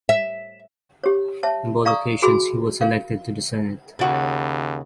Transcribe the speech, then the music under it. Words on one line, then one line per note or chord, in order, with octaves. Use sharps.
On both occasions he was elected to the Senate.
E5
G4 C#5
C#5 E5 A5
D5 F5 A#5 C#6 D#6 E6
F#4 G#4 G#5 B5 C6 E6
A#4 F5
D#2 C#3 F#4